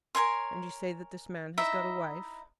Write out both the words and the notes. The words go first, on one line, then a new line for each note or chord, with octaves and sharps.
"And you say that this man has got a wife?"
A#4 C#5 G#5 C6
D#4 E4 D#5 E5